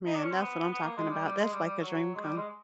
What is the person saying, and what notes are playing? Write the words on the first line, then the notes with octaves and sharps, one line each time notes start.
Man, that's what I'm talking about, that's like a dream come
D#4
D4
C#4
C4
B3
B3
A#3
G#3
G3
G3
G#3
G3
G3
F#3
G#3
G3
G#3